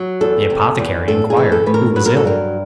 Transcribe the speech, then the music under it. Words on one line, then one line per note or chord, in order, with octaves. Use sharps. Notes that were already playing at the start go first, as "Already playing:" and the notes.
The apothecary inquired who was ill.
Already playing: F#3
E2 A4
C3
E2
A2 A4
G#4
E3
A4
A2 B4
A#4
F#3 B4
A#4
A4
G2 A#4